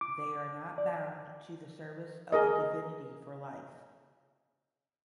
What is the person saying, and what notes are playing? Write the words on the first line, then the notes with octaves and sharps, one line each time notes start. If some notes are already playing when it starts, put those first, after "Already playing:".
They are not bound to the service of the divinity for life.
D6
D5
G#4 A#4 D#5